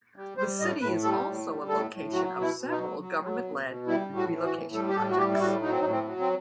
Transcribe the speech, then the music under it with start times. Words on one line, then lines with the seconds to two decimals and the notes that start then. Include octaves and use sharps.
The city is also a location of several government-led relocation projects.
0.16 G3
0.37 G3 C5
0.60 A2 D#5
0.81 A2 B4
1.03 G3 A4
1.25 A2
1.47 G3
1.68 A2 A4
1.91 A2
2.13 F#3 F#4
2.34 B2
2.41 E4
2.56 B2
2.70 D#4
2.77 F#3
3.00 F#3
3.21 F#3
3.43 B2
3.64 B2
3.87 G3 E4
4.08 A2
4.16 F#4
4.31 E3
4.45 F#4
4.53 A2
4.74 G3 A4
4.88 G4
4.96 A2 A4
5.10 F#4
5.18 G3 G4
5.33 E4
5.39 A2 F#4
5.61 F#3 D#4
5.71 C4
5.81 D#4
5.84 A2
5.91 C4
6.05 F#3
6.20 C4